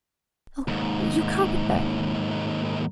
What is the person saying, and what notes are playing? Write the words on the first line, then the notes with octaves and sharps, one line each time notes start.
Oh! your carpet-bag.
D#2 G#2